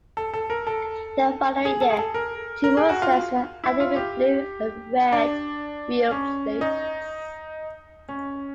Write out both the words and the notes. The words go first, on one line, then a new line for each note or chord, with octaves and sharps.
The following year, two more sets were added with blue and red wheel plates.
A4
A4
A#4
A4
G#4
A4
G#4
A4
A#4
A#4
G#4
F#4
F4
E4
F4
G4
D4
C#4
D#4
C#4